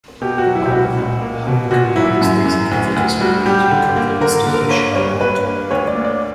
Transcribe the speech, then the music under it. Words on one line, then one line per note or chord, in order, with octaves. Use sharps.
However, Home combines these activities with a critique of the institution of art.
B2 G4
F#4
F#3
E4
G4
C#2 F#4
C#2
A#3
B2
A#2 F#4
F#3 E4
F#2
F#2
D2
D2
G3 F#4
G3 G4
D3
A#3
D3 A#4
D3
A#4
A#3 C#5
G2 C#5
G2 B4
A#3
D2 C#5
D5
A#3
D5